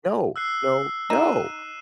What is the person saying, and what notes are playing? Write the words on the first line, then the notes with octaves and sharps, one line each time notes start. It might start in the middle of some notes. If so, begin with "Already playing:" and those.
No, no, no.
E6 F#6 C7
D#4 D#7 E7